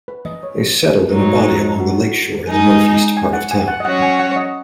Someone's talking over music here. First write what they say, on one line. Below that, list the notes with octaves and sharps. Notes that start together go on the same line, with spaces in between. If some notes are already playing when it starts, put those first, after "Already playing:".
They settled in a body along the lakeshore in the northeast part of town.
B4
D#5
C#5
G#2 F#3 D#4
F#4
G#3 D#4 G#4 D#5
G#5
F#5
G#5
F#5
D#5
F#3 C#4 F#4 C#5 F#5
G#5
F#5
D#5